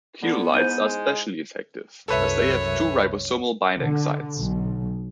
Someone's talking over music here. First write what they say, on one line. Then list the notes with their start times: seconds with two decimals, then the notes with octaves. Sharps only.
Ketolides are especially effective, as they have two ribosomal binding sites.
0.22 D3 B3
0.54 G#2 D#4 E4 C5 G6 D#7
0.85 G#3
2.08 C2 F#2 A4 B4 C#5 E5
3.77 D3
4.37 B1